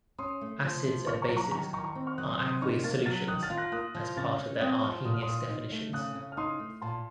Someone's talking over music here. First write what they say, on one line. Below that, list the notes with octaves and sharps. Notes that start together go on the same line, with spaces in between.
Acids and bases are aqueous solutions, as part of their Arrhenius definitions.
C#4 C6 D#6
A3
F3
F3
A#3 C#6 F6
A#5 C#6
F#3
A#5 C#6
D#3 A#5 C#6
D#3 A#5 C#6
A#5 C#6
C4
C#6 F6
F#3 D#6 F#6
C6 D#6
C3 C6 D#6
D#4 C#6 F6
A#3 F6 A6
F#3 F6 A6
D#3 D#6 F#6
F6 A6
F4
F#6 A#6
A#3 D#6 F#6
F3
C#3 F6 A6
C#4
C4 D#6 F#6
D#6
F3 C#6 F6
A#2 D#6
F6
A#2 C6 D#6
D#4
A3
C#3 D#6 F#6
C#3
F6
D#4 C6 D#6
A3
A#2 A5 C6